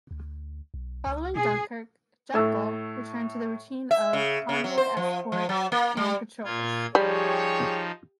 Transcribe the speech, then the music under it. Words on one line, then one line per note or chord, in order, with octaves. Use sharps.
Following Dunkirk, "Jackal" returned to the routine of convoy escort and patrols.
D2
B1
C#2
B2 G#4
A2 A3 E6
E5
C#3
C#3
F#3
C5
F3
F3
F#3
A#3
G3
A#2 F4 G#6
F3 G3 D#4 G4 G#4 C#5